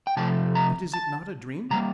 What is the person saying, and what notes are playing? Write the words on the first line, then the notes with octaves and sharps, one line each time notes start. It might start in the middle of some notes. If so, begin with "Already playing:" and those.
But is it not a dream?
G5
C3 F3 A3 A5
A#5
A5
C3 G3 A#3 A#5